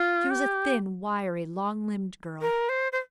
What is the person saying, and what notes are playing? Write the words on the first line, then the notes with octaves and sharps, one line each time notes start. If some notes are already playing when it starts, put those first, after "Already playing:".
She was a thin, wiry, long-limbed girl.
Already playing: F4
G4
A#4
C5
C5